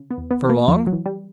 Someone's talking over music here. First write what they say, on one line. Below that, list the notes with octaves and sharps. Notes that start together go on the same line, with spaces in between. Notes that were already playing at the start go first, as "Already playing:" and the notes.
"For long?"
Already playing: C#3
B3
E2
B3
E3
A#3
E2 F3
F#3
E3
G3